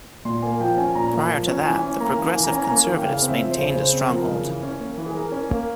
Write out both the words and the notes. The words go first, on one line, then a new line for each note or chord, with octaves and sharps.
Prior to that, the Progressive Conservatives maintained a stronghold.
A#2 C6
A#3 G#5
F3 G5
C#4 G#5
A#2 A#5
A#3
F3
C#4
E3 G#5
C#4
A#3 A#5
E3
E3 G#5
A#5
C#4 G#5
A#5
A#3 G#5
E3
G5
C#3 F5
C4 F5
E5
F3
C5
C#3
C#3 C5
C4
F3 A#4
C#3
E3
C#4
A#3
E3
G#4
E3 A#4
C#4
A#4
A#3